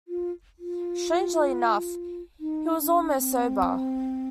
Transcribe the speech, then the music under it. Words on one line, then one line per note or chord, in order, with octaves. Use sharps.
Strangely enough, he was almost sober.
F4
F4
D#4
D4
C4